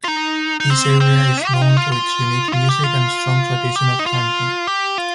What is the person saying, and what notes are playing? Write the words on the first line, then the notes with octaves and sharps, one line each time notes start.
This area is known for its unique music and strong tradition of hunting.
F4
D#4
D#4
C4
C4
G4
F4
D#4
F4
F4
D#4
F4
G4
F4
G4
D#4
F4
G4
F4